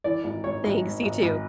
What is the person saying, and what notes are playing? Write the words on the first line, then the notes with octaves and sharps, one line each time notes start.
Thanks. You too.
E3 D5
G#1
G#1 C#5
G#1
G#2
G#1
G#1